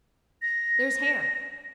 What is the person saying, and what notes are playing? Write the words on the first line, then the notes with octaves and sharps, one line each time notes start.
There's hair.
A#6